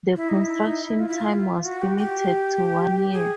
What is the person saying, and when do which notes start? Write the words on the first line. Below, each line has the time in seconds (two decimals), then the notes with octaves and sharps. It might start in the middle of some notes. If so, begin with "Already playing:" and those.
The construction time was limited to one year.
0.16 E4
0.29 D#4
0.42 E4
0.66 D#4
0.83 E4
0.99 F4
1.09 E4
1.18 F4
1.65 F#4
1.82 G4
1.98 G4
3.13 G#4